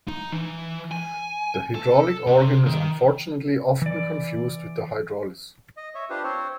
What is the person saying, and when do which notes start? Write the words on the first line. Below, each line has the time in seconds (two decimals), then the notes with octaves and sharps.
The hydraulic organ is unfortunately often confused with the hydraulis.
0.08 D#4
0.32 E3
0.91 G#5
1.75 A4
2.27 C3
2.66 D#3
3.82 E3 D5
5.77 D#5
5.95 C#5 E5
6.10 D4 F4 G4 B4 C5
6.24 C4 C5 C#5